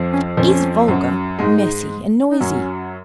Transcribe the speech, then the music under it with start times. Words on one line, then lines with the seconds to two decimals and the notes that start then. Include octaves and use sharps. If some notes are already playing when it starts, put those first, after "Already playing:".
It is vulgar, messy, and noisy.
Already playing: F2 F3
0.13 C#4
0.37 F2 F3 C#4
0.88 F#2 F#3
1.39 G#2 G#3 D#4
2.31 D#4
2.40 F#2 F#3 C#4